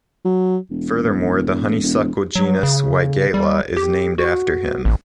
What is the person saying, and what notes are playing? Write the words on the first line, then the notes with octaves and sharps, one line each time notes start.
Furthermore, the honeysuckle genus "Weigela" is named after him.
F#3
E1
E1
F#3
C#3
G3
G4
F#4
A1